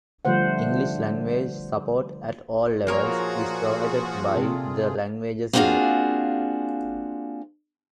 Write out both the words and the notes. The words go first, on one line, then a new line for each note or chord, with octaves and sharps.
English language support at all levels is provided by the Languages Unit.
D3 F3 G3 A3 C5 F#5
A#2 F3 A#3 F4 F#4 G#4 A#4 C#5
C3 A4
A#3 C4 D4 F4 F#4 G#4